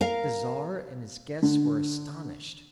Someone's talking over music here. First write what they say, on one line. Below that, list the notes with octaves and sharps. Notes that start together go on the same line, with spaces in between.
The Tsar and his guests were astonished.
A#4 F5
D3